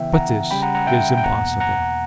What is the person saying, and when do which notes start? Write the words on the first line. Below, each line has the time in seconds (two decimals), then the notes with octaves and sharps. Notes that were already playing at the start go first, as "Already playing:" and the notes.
But this is impossible.
Already playing: C#3 E3 B3 E4 E5 G5
0.13 F#5 A#5
0.51 C#3 G3 C#4 G5 B5
0.62 F#5 A#5
0.75 F#5 A#5
0.87 E5 G5
1.18 G5
1.23 E2 B2 A#3 F#5 A#5
1.60 F#5 A#5